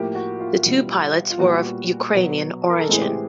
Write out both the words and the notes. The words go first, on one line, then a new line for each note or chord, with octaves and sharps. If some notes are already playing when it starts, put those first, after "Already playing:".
The two pilots were of Ukrainian origin.
Already playing: A2 F3 A#3 G4
F#4
F4
E2 B2 G3
F4
A#2 G3 B3 F#4
B2 F#3 B3
A#4
A4
A2 E3 G#3 C4 G#4
G4